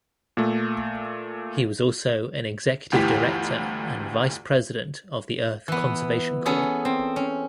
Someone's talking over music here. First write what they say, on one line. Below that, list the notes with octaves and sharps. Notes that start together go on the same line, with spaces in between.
He was also an executive director and vice president of the Earth Conservation Corps.
A#2 A3
G1 D2 E3 G4 B6
E3 B3
B3 C#4 G#4 A4
C4
C#4